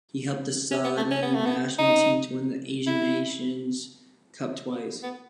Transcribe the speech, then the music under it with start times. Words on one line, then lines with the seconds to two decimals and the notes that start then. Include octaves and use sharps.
He helped the Saudi national team to win the Asian nations cup twice.
0.71 C#4
0.84 B3
0.97 A3
1.11 C#4
1.22 B3
1.34 A3
1.45 B3
1.78 D#4
2.86 E4
5.03 B3